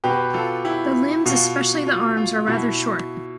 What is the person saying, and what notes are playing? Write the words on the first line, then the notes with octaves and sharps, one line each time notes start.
The limbs, especially the arms, are rather short.
B2 G4 B4
F4 A4
E4 G4
B2 F4
F4
F4
B2 E4